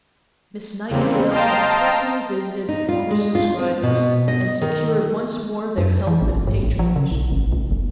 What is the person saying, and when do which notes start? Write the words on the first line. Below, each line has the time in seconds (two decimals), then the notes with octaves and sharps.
Miss Nightingale had personally visited the former subscribers, and secured once more their help and patronage.
0.89 E2 C#3 G3 A#3 C4
1.30 D#5 F5 G5 A5 A#5 C6
2.69 D#4
2.89 F4
3.11 G#3
3.35 F4
3.59 C4
3.83 B2
4.28 D#5
4.62 D#3
5.78 F#2
6.07 E3
6.22 A1
6.36 G1
6.47 G#2
6.63 A1
6.79 F3
6.96 C#3
7.11 B1
7.31 G#1
7.52 C2
7.71 F#1